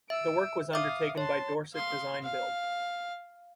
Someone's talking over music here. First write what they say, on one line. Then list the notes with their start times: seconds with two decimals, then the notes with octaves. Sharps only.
The work was undertaken by Dorset Design Build.
0.10 E5 E6 D7
0.73 E5 F5 D6 D#6
1.18 C#5 A5 C6
1.73 F5 C6
2.22 F5